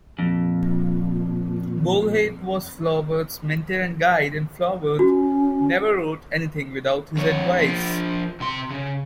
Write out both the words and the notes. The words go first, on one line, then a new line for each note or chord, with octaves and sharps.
Bouilhet was Flaubert's mentor and guide, and Flaubert never wrote anything without his advice.
F2 A#2
C#4 F#4
F2 C#5
F3 A#3
C3 C6
C#3